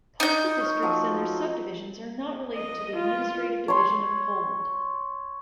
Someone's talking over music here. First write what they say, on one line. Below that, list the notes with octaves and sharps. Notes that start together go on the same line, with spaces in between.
Postal districts and their subdivisions are not related to the administrative division of Poland.
D#4 G6
A#4 C#5
F3 F#3
D#5
F4
C#5 C6